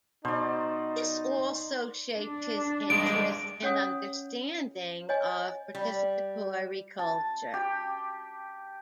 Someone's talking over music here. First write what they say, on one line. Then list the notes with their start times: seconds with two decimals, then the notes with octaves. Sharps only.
This also shaped his interest and understanding of participatory culture.
0.25 B2 D#4 C5 D5
2.14 D4
2.90 G2 G#3 D7
3.63 C#4 C#5 F#5 D#6
5.09 C#5 D#5 G#5
5.75 G3
6.99 A5
7.54 G4